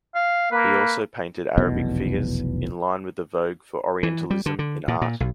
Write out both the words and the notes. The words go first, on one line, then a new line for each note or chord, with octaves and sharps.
He also painted Arabic figures, in line with the vogue for Orientalism in art.
F5
A#3 B4
F1 B1 E2 B2
E3
G3
D3
D3
A#2
A#2
B1